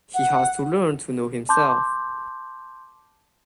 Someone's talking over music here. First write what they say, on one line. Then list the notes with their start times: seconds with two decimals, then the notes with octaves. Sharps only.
He has to learn to know himself.
0.14 F#5
1.49 A5 C6 D6 G6